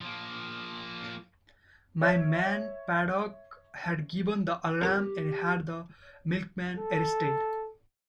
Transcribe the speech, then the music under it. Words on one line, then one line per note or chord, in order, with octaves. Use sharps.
My man Paddock had given the alarm and had the milkman arrested.
F3 A#3
C#5 E5
F2 G4 A#4 D6
A4